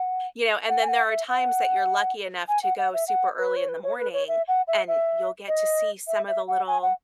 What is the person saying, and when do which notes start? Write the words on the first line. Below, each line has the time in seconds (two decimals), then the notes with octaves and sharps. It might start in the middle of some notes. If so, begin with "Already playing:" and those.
You know, and then there are times that you're lucky enough to go super early in the morning, and you'll get to see some of the little
Already playing: F#5
0.69 F#5
0.82 G#5
0.89 F#5
1.09 E5
1.29 F#5
2.48 G#5
2.63 F#5
2.78 F#5
2.94 E5
3.08 F#5
3.38 B4
3.57 C#5
3.69 B4
3.83 C#5
3.98 B4
4.13 C#5
4.28 E5
4.48 F#5
4.67 E5
4.88 E5
5.48 D#5
6.08 E5
6.28 E5
6.48 F#5
6.67 G#5
6.82 F#5